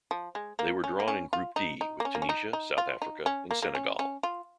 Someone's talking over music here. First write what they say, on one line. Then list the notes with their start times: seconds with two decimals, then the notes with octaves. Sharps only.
They were drawn in Group D with Tunisia, South Africa and Senegal.
0.11 F3
0.35 G#3
0.59 A#3
0.84 C#4
1.00 A#3
1.08 C#4
1.33 F4
1.56 D#4
1.81 D#4
2.00 A#3
2.05 C#4
2.15 A#3
2.22 C#4
2.29 D#4
2.53 D#4
2.78 F4
3.02 D#4
3.26 C#4
3.51 A#3
3.62 A#3
3.75 C#4
3.99 C#4
4.23 F4